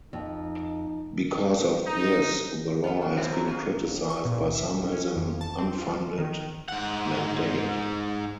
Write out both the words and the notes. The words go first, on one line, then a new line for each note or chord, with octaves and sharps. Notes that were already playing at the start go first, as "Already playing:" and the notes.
Because of this, the law has been criticized by some as an unfunded mandate.
F2 D#4
D#4
B3 F4 A4
F4 F#4
F#3 C4
A#4
C#4 F4 G#4
A#1
C#6
A#2
C#2
E5
D#2
C#4
F2
A5
C4
F4
D#3
G#2 F#5